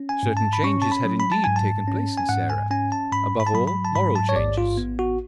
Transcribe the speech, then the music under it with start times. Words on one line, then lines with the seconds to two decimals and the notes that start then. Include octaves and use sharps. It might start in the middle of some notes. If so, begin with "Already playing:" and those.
Certain changes had indeed taken place in Sarah; above all, moral changes.
Already playing: C#4
0.09 G#5
0.23 G#2
0.37 A5
0.53 B5
0.63 C#4 C#6
0.82 A5
0.92 B5
1.05 F#3
1.20 B5
1.32 A5
1.44 G#2 G#5
1.56 A5
1.88 C#4
2.18 G#5
2.29 G#2 F#5
2.50 G#5
2.71 C#4 G#5
2.92 A5
3.12 G#2 B5
3.40 B5
3.47 A5
3.54 F#3 B5
3.67 B5
3.85 A5
3.95 G#2 B5
4.16 A5
4.29 C#5
4.36 A1 D5
4.58 F4
4.77 B3
4.99 F#4